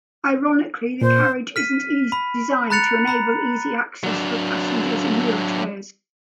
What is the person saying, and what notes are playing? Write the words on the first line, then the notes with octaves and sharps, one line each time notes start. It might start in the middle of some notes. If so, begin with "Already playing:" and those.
Ironically, the carriage isn't designed to enable easy access for passengers in wheelchairs.
A#2 C5
F6 B6 D#7
B5
A#5 B5 F#6 A6 C#7 F7
A#5 B5
F#3 D4